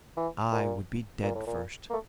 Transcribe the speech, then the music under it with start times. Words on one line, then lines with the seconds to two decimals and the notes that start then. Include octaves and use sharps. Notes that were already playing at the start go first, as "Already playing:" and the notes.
I would be dead first!
0.17 E3
0.52 A#2
1.23 A#2
1.35 A2
1.47 A#2
1.90 A#3
1.93 A3